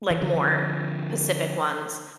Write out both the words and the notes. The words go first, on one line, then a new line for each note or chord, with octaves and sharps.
like, more Pacific ones,
E3
D3 F3